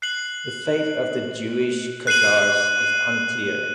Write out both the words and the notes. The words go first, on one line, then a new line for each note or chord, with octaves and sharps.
The fate of the Jewish Khazars is unclear.
F#6 C7 F#7
F#6 C7 D#7 F#7